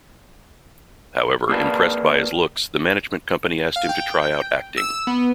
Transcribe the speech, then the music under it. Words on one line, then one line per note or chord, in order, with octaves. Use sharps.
However, impressed by his looks, the management company asked him to try out acting.
A#3 G#4 A#4 B4 D5 A5
F5
G5
E6
B3